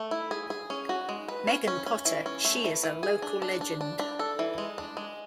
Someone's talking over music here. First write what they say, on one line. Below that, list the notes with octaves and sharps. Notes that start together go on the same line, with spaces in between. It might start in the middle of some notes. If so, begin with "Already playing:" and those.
Megan Potter, she is a local legend.
Already playing: A3
E4
G#4
G#4
C#4
F#4
G#3
B4
C#4
C#4
C#4
E3
C#4
A3
E3
E3
G#4
D4
D4
D4
D4
D4
A4
E3
G#3
D4
G#3